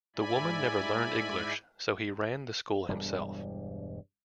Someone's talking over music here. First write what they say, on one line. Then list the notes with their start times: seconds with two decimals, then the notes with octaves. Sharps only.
The woman never learned English so he ran the school himself.
0.16 G#2 E4 D5 G#5 B5
2.88 E1 G2 G3